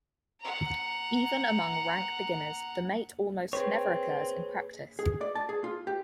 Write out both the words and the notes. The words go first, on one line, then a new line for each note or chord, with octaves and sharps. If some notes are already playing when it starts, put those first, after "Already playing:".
Even among rank beginners, the mate almost never occurs in practice.
F#5 A#5
C4 G#4 B4 C#5
G#4
D5
A5
G#4
F4
G4